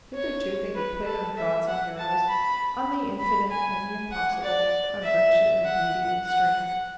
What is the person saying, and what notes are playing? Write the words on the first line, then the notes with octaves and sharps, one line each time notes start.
Hitherto they had played on gods and heroes, on the infinite and the impossible, on virtue and beauty and strength.
C#5
B4
A4
E5
F#5
A5
B5
B5
G#5
F#5
D5
E5
F#5
F#5